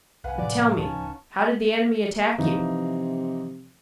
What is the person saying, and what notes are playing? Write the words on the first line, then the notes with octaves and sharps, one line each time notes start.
"But tell me, how did the enemy attack you?"
C2 B4 F5 F#5 G#5 B5 F#6
A2 C3 F3 D5
D1 C#2 F3 C#4 D#4 A5 C#6
C3 E3 F3 D#4